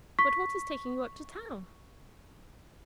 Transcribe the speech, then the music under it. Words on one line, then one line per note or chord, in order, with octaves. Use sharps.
But what is taking you up to town?
C#6 B6